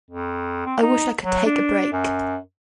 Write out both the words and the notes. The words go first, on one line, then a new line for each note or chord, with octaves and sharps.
I wish I could take a break.
F2
C4
D#4
F#3
D4
F#2